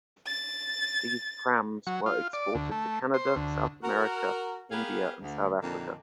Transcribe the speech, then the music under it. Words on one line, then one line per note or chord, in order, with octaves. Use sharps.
These prams were exported to Canada, South America, India and South Africa.
A6
F#3
F4
D5
D2
A3
C5
D2
F#4 A#4
B3 G4 G#4 A#4 B4 F5
D2
F2 A#2 D3 D#3 A#3 D4